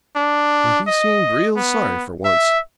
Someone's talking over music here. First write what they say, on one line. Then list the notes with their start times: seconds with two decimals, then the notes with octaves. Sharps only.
But he seemed real sorry for once.
0.16 D4
0.87 D#5
1.56 B3
2.25 E5